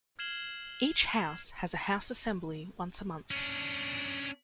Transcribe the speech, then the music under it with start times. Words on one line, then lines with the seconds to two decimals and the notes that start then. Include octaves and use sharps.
Each house has a house assembly once a month.
0.19 F6 G#6 C7 E7 F#7 G7
3.31 C#4 D4